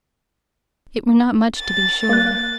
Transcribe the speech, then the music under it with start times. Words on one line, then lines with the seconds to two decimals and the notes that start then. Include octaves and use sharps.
It were not much to be sure.
1.59 A6
2.09 A#3 F#6